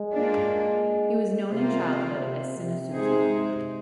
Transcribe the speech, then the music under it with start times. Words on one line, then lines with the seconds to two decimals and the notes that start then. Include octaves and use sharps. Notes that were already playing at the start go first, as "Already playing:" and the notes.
He was known in childhood as "Shinnosuke".
Already playing: G#3
0.11 A#3 D4 F4
1.52 C3 A#3 F4 C5
2.23 C3
2.58 C3
2.93 G#3 D#4 G#4 C5